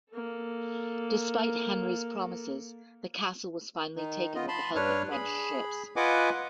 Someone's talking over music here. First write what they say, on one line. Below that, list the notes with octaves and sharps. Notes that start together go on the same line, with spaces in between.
Despite Henry's promises, the castle was finally taken with the help of French ships.
A#3 A4
D#3 D#4
B3 F4 D#5
A5 B5 C6
G2 D4 B4 C#5 F6
G#4 B5
F4 B4 D#5 F#5 G#5 D6